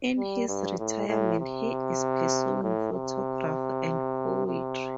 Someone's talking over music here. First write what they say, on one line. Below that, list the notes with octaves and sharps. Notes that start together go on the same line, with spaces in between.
In his retirement he is pursuing photography and poetry.
G3
G2
A2
A2
C3
A2
C3
C3